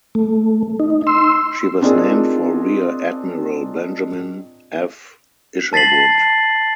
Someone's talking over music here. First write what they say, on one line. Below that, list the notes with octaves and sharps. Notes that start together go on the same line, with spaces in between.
She was named for Rear Admiral Benjamin F. Isherwood.
A3
D#4
C6 E6
C4 D4 D#4 F4 G#4 A#4
A5 A6 B6 C7 F#7